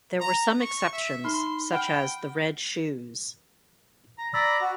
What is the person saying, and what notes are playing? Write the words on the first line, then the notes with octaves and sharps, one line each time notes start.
There were some exceptions, such as "The Red Shoes".
A#5
C#6
E5
D#4 B5 C6 F6
F#5 G5 B5 F6
A#5
D5 A#5 B5 E6
F#4